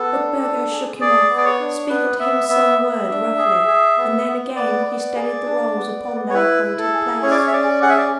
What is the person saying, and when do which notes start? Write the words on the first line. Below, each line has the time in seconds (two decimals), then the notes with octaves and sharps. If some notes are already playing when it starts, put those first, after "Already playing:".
But Burgo shook him off, speaking to him some word roughly, and then again he steadied the rolls upon their appointed place.
Already playing: B3 A4
0.12 D4
0.42 D4
0.71 G#4
1.01 G#4 D5
1.30 B3
1.37 D5
1.45 C#5
1.60 D4
1.89 B3 B4
2.19 B3 E5
2.49 B3 E5
2.79 B3
3.08 D4
3.38 G#4
3.67 G#4
3.97 B3
4.27 B3
4.56 B3 D5
4.86 B3
5.16 G#4
5.45 D4
5.75 B3
6.05 B3
6.30 C#5
6.34 E4 B4
6.63 E4
6.78 A4
6.93 G#4
7.22 C#4 C#5
7.31 D5
7.39 C#5
7.47 E5
7.53 C#4 D5
7.82 G#4 F#5
7.90 E5
7.97 D5